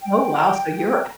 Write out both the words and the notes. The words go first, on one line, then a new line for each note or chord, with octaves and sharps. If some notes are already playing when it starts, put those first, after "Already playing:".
Oh, wow, so you're
G5